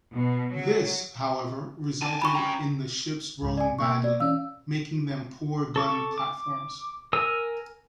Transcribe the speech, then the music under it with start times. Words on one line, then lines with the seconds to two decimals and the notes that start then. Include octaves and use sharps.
This, however, resulted in the ships rolling badly, making them poor gun platforms.
0.12 B2
0.52 F#3
2.03 G#5 A5
2.22 B5 C#6
2.35 C#4 G5 A#5
3.42 C#2 G#2
3.57 D5 G#5
3.79 B2 A#3 C#6 E6
4.04 D5
4.20 E3 C#4 D5 F5 E6
5.76 A4 C#6 D6
6.18 D6
7.13 A#4 G#5 E6